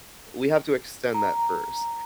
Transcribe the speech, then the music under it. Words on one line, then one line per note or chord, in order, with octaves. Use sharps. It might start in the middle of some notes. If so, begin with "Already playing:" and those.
we have to extend that first.
A#5